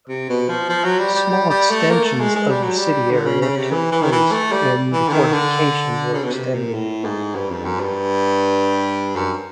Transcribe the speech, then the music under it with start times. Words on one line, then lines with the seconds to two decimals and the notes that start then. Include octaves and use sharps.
Small extensions of the city area took place when the fortifications were extended.
0.09 C3
0.29 B2
0.49 F3
0.69 F3
0.84 F#3
0.99 G3
1.14 G3
1.30 G3
1.50 G3
1.70 A3
1.90 A#3
2.05 A3
2.20 G#3
2.35 G#3
2.49 G3
2.63 F#3
2.77 G3
3.11 D3
3.26 C#3
3.42 C#3
3.56 C3
3.71 E3
3.92 E3
4.02 D#3
4.12 E3
4.32 A3
4.52 G3
4.92 E3
5.08 D3
5.13 D#3
5.32 D3
6.13 C#3
6.24 B2
6.33 C3
6.54 A#2
6.74 A2
7.04 G#2
7.35 G2
7.50 F2
7.65 F#2
7.80 G2
9.16 F#2